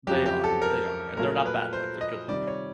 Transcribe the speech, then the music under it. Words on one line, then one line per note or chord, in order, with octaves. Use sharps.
They are, they are, and they're not bad luck, they're good luck.
F2 C#3 F#3 G4
G4
A4
A#4
A#2 F#3 A3 A#4
B4
C5
D#5
C3 D#3 G3 D5
C#5